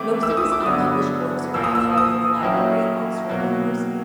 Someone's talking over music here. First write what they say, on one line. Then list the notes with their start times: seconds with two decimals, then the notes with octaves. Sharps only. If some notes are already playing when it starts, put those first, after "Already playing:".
Most of his unpublished works are now held in the library of Oxford University.
Already playing: E3 A3 C4 E4 D6
0.23 E6
0.37 D#6
0.52 D6
0.66 G2 D3 F#3 B3 D#6
1.54 A#2 F3 A#3 E6
1.64 D#6
1.75 E6
1.98 D#6
2.41 D#3 F#3 A#3 C#4 E4
3.29 B2 F#3 A#3